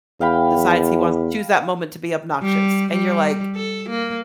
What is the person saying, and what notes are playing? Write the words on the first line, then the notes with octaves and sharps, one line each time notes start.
decides he wants to choose that moment to be obnoxious, and you're, like,
E2 F5 G5 B5
G3
G3
A4
A#3